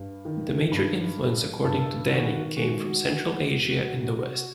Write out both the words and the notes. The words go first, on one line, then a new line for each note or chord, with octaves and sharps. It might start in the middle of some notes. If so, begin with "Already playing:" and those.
The major influence, according to Dani, came from Central Asia in the west.
Already playing: G2
D#3
G2
G3
G2 A4
D#3 F#4
G#3 F#4
E3
E2
C3